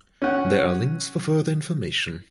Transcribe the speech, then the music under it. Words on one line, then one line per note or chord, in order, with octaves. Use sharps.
There are links for further information.
C#4 F#5